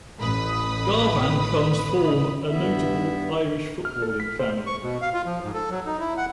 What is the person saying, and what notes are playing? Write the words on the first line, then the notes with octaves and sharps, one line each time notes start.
Garvan comes form a notable Irish footballing family.
A1 B4 B5 D#6
G2 B3 E4 E5
F6
A4
B6
C5
C#6
B2
F5
F4
F3
G#2
A4
F#3
D#4
E4
F#5